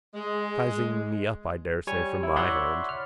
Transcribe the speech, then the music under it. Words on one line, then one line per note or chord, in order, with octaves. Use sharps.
Sizing me up I daresay from my hand.
G#3
G3 C#5 G#5 C#6
E4
C#5 D5 E5 F#5 B5 C6
F6